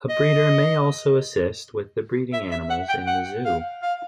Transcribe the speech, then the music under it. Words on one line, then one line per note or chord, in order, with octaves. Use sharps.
A breeder may also assist with the breeding animals in the zoo.
D#5
E5
E5
F#5
G5
F#5
F5
F5